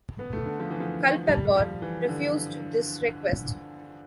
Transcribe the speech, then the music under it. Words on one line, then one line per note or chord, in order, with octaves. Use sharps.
Culpepper refused this request.
B3
A3
D3
F3
E3
F3
G3
G3
F3
E3
D3